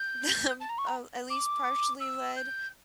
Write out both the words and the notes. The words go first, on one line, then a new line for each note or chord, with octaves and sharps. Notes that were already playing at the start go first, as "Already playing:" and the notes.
them uh, at least partially led,
Already playing: G6
A5
A#5
C#6
A#5
D6
E6
G6